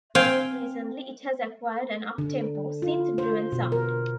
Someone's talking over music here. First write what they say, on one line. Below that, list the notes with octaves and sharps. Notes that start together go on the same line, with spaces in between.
Recently it has acquired an uptempo, synth-driven sound.
C4 F5 G5 G#5
D3
F4
C5
B2
A#4